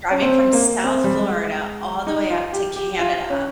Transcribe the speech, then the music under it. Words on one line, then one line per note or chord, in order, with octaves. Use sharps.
Driving from South Florida all the way up to Canada
C#4
C4
A#3
C4
G3
G#3
D#4
F4
G4
G4
F4
C#4